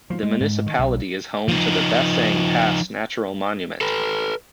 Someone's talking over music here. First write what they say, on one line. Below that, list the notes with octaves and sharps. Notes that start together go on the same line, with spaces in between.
The municipality is home to the Bessang Pass Natural Monument.
F3
G#3
G#2
D#3
B1
F3 D#4
A4 B4